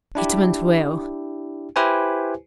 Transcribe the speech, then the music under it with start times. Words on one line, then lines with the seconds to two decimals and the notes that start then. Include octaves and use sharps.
It went well.
0.15 D4 E4 G4
1.76 E4 G4 B4 C5 G#5